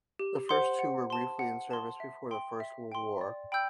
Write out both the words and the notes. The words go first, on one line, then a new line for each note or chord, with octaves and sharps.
The first two were briefly in service before the First World War.
G4
C5 F#5 C6
F#5
A5 C6
F#5
A5 C6
E5
G5 C6
E5
G5 C6
D5
G5 B5 E6 G6